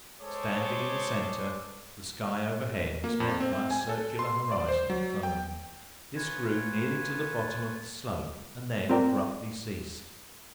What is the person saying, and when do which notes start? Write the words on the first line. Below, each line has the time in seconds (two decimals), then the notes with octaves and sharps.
Standing in the centre, the sky overhead was met by a circular horizon of fern: this grew nearly to the bottom of the slope and then abruptly ceased.
0.21 G#3 G#4 A4 C5 C#5 D6
3.04 A#3
3.20 F2
3.40 C4
3.53 C4
3.71 G#5
3.89 A4
4.19 C6
4.52 D5
4.69 C5
4.90 F#3
5.23 G5
6.16 F4 B4 C#5 G#5
8.89 C4 F4 A#4 D5 G5